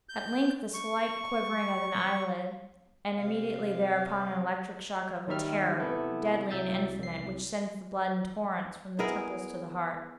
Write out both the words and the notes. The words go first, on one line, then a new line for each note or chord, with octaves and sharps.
At length the slight quivering of an eyelid, and immediately thereupon, an electric shock of a terror, deadly and indefinite, which sends the blood in torrents from the temples to the heart.
G6
C#6
C3 F5
D#2 D#3 G3 E5 F6
C3 E3 B3 E4 A4
C2 F#3 E5 G6 A6
C2 C7
B3 E4 G#4 A#4